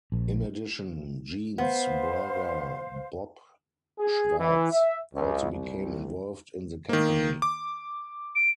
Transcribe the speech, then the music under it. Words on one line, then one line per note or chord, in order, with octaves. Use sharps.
In addition, Gene's brother Bob Schwartz also became involved in the company.
A#1
B3 C5 F5
G#4
E3
E5
C#2
C2
D#3 A#3
D6
D7